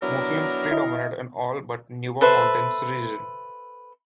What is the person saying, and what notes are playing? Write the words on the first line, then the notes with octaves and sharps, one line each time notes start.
Muslims predominate in all but Nuba Mountains region.
F#3 B3 D4 E4 A#4
E4 D#5
A4 B4 C5 E5